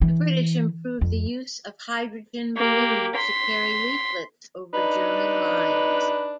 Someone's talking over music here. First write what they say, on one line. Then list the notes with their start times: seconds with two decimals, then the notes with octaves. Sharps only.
The British improved the use of hydrogen balloons to carry leaflets over German lines.
0.01 E3
1.01 F2
2.56 A#3 G4
3.16 C6 B6
4.74 D4 D#4 B4